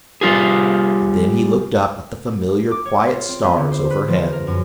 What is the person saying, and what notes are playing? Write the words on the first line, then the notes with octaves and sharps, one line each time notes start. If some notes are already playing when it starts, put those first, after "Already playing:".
And then he looked up at the familiar quiet stars overhead.
G3 F4 G#4
D6
C#5
F4
C4
B3
D3
C5
B4
F3
A#4
F#2